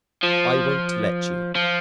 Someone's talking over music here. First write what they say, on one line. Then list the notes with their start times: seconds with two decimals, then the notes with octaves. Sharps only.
I won't let you.
0.23 F3
1.55 F3